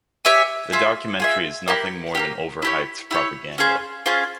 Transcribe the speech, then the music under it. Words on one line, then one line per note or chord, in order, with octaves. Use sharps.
The documentary is nothing more than overhyped propaganda.
G4 C#5 E5 G#5
F4 G#4 E5
F4 G#4 E5
A#3 E4 G4
A#3 E4 G4
E4 G4 C#5
E4 G4 C#5
C#4 F4 G#4 C5
C#4 F4 G#4 C5